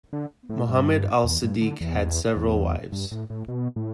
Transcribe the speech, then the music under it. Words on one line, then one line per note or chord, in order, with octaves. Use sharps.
Muhammad as-Sadiq had several wives.
D3
A2
G2
E2
G2
D3
E2
E2
G2
A2
A2
B2
A2